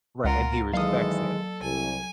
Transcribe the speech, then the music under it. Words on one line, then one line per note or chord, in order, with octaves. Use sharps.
Right, and he respects it.
C#2 F4 A#4 F#5
D#3 E3 F#3 G#3 A4 F5 D#6
C2 G#5